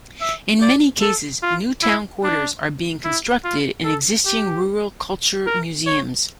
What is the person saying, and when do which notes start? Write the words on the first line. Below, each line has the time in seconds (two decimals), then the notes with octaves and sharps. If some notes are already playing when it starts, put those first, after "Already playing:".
In many cases new town quarters are being constructed in existing rural culture museums.
0.21 E5
0.61 D5
1.01 A4
1.42 F4
1.82 E4
2.23 D4
3.04 E4
3.44 F4
3.84 A4
4.26 G4
5.46 A#4
5.86 C#5